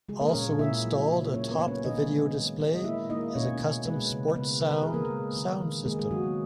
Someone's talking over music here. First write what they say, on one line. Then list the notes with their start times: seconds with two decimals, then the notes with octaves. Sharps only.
Also installed atop the video display is a custom Sportsound sound system.
0.09 C#3 G#3 G#4
0.21 A#3 A#4
0.34 A#2 C#4 C#5
0.59 A#2 E4 E5
0.85 F#3
1.09 C#3
1.34 A#3 C#4 C#5
1.50 B3 B4
1.59 A#3
1.67 C#4 C#5
1.84 D#3 D#4 D#5
2.09 G#3
2.35 G#3
2.60 G#3
2.75 D#5
2.84 A#3 E4 E5
3.10 A#3 D#4 D#5
3.35 B2 C#4 C#5
3.60 B2
3.85 G#3 B3 B4
4.11 C#3
4.35 C#3 B3 B4
4.60 C#3 B4
4.71 A#4
4.83 C#3 G#4
4.94 A#3 A#4
5.10 G#3
5.36 D#3
5.61 D#3
5.85 G#3 A#3 G#4
5.99 G#3 G#4
6.11 D#3 F#3 F#4
6.23 B3